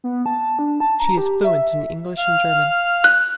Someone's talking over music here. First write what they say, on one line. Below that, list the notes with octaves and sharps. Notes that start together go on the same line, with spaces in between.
She is fluent in English and German.
B3
A5
D4
A5
A#5
G4
E5
F5 F6
F#6